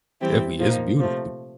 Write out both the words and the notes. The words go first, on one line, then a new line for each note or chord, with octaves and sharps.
definitely it's beautiful,
E3 G3 C4 E4 G4
A#2 F3 A#3 D#4
C3 F3 A3